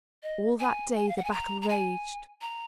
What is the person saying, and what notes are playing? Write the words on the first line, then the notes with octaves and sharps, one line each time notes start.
All that day the battle raged.
D#5
G#5
G#5
F5
F#5
G#5
A#5
A#5
G#5
A#5